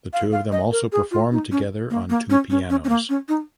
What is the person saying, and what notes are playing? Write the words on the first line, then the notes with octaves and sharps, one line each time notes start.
The two of them also performed together on two pianos.
F5
F5
D#5
A#4
G#4
F4
D#4
C#4
A#3
A#3
C#4
C#4
C#4
C#4
A#3
C#4
D#4